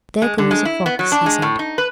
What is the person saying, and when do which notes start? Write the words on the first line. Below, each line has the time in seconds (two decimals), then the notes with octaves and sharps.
"There goes a fox," he said.
0.22 G#3
0.38 D3
0.51 G#3
0.65 E4
0.86 B3
0.99 F#3
1.12 D4
1.26 G#3
1.42 A2
1.59 D#4
1.78 B4